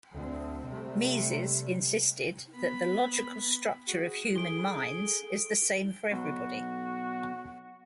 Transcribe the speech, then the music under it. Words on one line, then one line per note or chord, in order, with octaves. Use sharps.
Mises insisted that the logical structure of human minds is the same for everybody.
D2 C4
C3 G3 A3
B3 B5
F#4 G#4
G#4 A4 D7 G7
B1 F#4